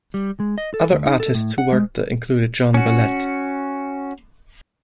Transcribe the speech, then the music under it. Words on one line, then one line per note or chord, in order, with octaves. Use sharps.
Other artists who worked there included Jean Bellette.
G3
G#3
D#5
A4
D2
D#4
A4
A2
F#5
G#3
C#4 F#4